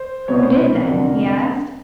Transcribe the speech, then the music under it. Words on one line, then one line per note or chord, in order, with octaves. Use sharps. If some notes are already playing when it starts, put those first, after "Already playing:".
"Who did, then?" he asked.
Already playing: C5
C2 B2 C#5
C5
B4
A#4
F1 F2 D3